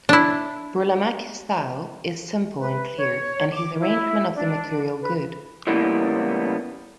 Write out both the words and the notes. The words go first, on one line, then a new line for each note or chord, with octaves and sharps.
Burlamaqui's style is simple and clear, and his arrangement of the material good.
D4 E4
B4
C#5
D6
E4
D4
B4
C#2 A2 E3 G3 A#3 B3